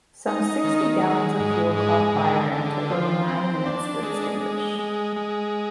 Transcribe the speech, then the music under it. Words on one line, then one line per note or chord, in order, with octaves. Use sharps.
Some sixty gallons of fuel caught fire, and took over nine minutes to extinguish.
D#4
D#3
G#3
G#2
G#3
D3
D3
F3
C4
D4
G#3
G#3
G#3
G#3